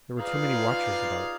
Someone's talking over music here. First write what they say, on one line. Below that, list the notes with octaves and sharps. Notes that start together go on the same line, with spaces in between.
There were too many watchers about.
D#4 F4 G#4 B4 D5 F5